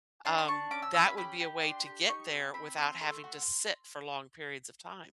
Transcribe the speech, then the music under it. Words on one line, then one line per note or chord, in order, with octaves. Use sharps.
um, that would be a way to get there without having to sit for long periods of time.
D4 C6
C6
D4 C#6
C#4 D6
E6
C#4 E6
B5
G4 B5
G4
D4 C6
G4
D#4 C#6
C4
C4 B5
C4 C6
A3 C6
F#4